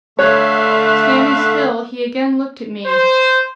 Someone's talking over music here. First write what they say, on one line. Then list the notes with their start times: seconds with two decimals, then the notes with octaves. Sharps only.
Standing still, he again looked at me.
0.19 D3 A3 C#5 E5 F5 F#6
2.86 C5